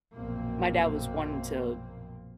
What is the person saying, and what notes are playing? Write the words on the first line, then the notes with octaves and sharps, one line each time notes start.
my dad was one to
A#1 F#2 B2 A#3 C4